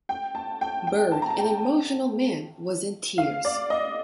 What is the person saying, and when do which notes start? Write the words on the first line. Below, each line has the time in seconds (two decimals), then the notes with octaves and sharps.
Bird, an emotional man, was in tears.
0.09 G5
0.35 A5
0.61 G5
0.87 G5
1.12 A5
1.22 A#5
1.30 A5
1.39 G5
3.18 F5
3.45 D5
3.70 D#5